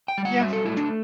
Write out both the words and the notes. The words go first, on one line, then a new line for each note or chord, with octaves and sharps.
Yeah, true.
G5
G3
F#5
F#3 E5
A4
A3 E4
D4